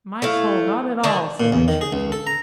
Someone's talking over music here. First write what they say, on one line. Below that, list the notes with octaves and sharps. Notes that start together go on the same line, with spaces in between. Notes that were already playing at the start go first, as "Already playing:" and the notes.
'My soul, not at all!' said I, cheerfully.
A3 E4 F5
D3 D#3 D4
A#2
E2
D#3
G#4
C#2
A4
A#5